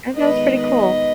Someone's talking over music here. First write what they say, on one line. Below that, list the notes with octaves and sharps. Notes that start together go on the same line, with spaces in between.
and that was pretty cool.
D#3 G#3 B3 B4 D#5
B4 D#5